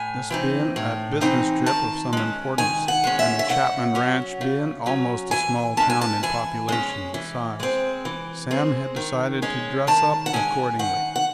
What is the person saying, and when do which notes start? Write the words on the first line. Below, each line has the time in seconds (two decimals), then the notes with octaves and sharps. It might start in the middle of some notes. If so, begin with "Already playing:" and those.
This being a business trip of some importance, and the Chapman ranch being almost a small town in population and size, Sam had decided to "dress up" accordingly.
Already playing: A2 G#5
0.30 E3 C4 D#4
0.76 A2
1.21 E3 C4 D#4
1.66 D#3 A5
2.13 G#3 C#4
2.58 D#3 G#5
2.88 F#5
3.04 G#3 C#4
3.19 E5
3.39 E5
3.49 C#3 F#5
3.95 F#3 C#4
4.41 C#3
4.86 F#3 C#4
5.31 E3 G#5
5.77 G#3 C#4 A5
5.90 G#5
6.01 A5
6.23 E3 G#5
6.69 G#3 C#4
7.14 E3
7.60 G#3 C4
8.05 E3
8.51 G#3 C4
8.96 D#3
9.42 G#3 C#4
9.87 D#3 A5
10.26 F#5
10.33 G#3 C#4 G#5
10.79 D#3 F#5
11.16 F#5